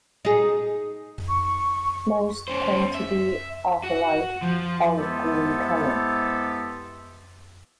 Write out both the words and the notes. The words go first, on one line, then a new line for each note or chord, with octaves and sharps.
Most tend to be of a light olive-green color.
D#4 G#4
C#6
C#4 C5
E5
F#4
F3
C3 E3 G#3 B3 G4 A4